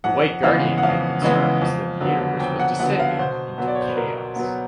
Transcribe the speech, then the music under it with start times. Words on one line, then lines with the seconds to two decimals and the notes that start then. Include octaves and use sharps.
The White Guardian had concerns that the universe was descending into chaos.
0.04 F2 F#5
0.43 C#3 E3 G#3 B3 F5
0.78 F#5
0.83 F2 F5
1.22 C#3 E3 G#3 B3
1.62 F2
2.01 D3 F#3 B3
2.40 F2 G5
2.59 F#5
2.79 D3 F#3 B3 F#5
2.99 F5
3.19 B2 C5
3.58 F#3 B3
3.68 D5
3.75 C#5
3.82 C5
3.90 B4
3.97 B2 A#4
4.36 F#3 B3